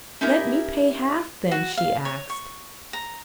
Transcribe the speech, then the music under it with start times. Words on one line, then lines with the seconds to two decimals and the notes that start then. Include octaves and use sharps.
'Let me pay half, then,' she asked.
0.21 C#4 D#4 E4 G4 A#4
1.51 F#4
1.77 F5
2.05 C#5
2.30 C#6
2.93 A#5